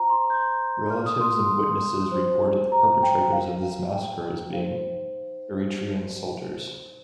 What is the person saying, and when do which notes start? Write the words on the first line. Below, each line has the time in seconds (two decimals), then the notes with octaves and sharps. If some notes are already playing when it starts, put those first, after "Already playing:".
Relatives and witnesses reported the perpetrators of this massacre as being Eritrean soldiers.
Already playing: F4 C5 A#5
0.10 C6
0.30 G6
0.90 F4 A#4 F6
1.06 D#6
1.20 C6
1.36 C6
2.12 F4 C5
2.72 A#5
3.03 G5
3.32 F4 A#4 F5
3.63 F5
3.93 G5
4.53 D#4 C5 F5